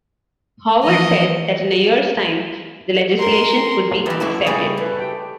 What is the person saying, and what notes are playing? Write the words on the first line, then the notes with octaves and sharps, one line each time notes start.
Howard said that in a year's time the legislation would be accepted.
E3 F3 D#5
A#4 C6
E2 E3 G4 B4 D#5
F#2 E4 A4
C#3 G3 A3 G#4 D#5 G#5
A3 A4 B4
G4 G5